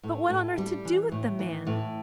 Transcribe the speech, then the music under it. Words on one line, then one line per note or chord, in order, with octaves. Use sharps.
But what on earth to do with the man?
A2
A2
G3
E3
A2
E3
A2